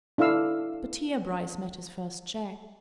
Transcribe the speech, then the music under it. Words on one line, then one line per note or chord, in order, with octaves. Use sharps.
But here Bryce met his first check.
D4 E4 A4 F5 E6